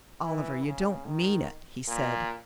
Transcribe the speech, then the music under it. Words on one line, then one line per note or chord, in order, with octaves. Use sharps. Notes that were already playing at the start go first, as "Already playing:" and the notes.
"Oliver, you don't mean it," he said.
E3
C#3
D#3
A#2